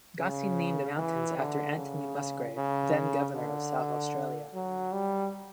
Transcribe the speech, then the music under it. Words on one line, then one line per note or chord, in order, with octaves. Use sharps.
Gosse named the mountains after Anthony Musgrave, then Governor of South Australia.
C#3
E3
D3
C#3
C#3
D3
F#3
G3